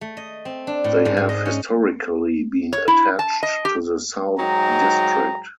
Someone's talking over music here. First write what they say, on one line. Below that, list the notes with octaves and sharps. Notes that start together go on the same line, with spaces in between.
They have historically been attached to the South District.
A3
D#5
C4
D4
A2
G#2
G#2
D#5
C#4
C#5
E4
A5
D#5
G4
G#2 F#3 D#4 G5 A#5